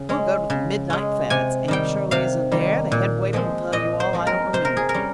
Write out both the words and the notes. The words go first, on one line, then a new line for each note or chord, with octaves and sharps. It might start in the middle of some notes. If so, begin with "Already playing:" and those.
We'll go to the Midnight Fads and if Shirley isn't there the head waiter will tell you all I don't remember.
Already playing: C#3
G#3 C#4
C#3
G#3 C#4
C3 G#5
D#3 G3 G5
C3 F5
D#3 G3
A#2
F3 G#3 C4
A#2 D#5
C5
F3 G#3 C4
A#4
C3 C5
A#4
G#4
A#4
G3 C#4